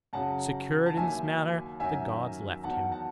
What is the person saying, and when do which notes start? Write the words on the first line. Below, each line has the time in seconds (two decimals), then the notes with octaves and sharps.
Secured in this manner the gods left him.
0.13 F#2 C#3 F#3 F#5 A5
0.86 A5
0.97 D#2 D#3 F#3 E5 G#5
1.80 F#2 D#3 F#3 E5 G#5
2.64 E2 D#3 F#3 F#5 A5
2.92 F#5 A5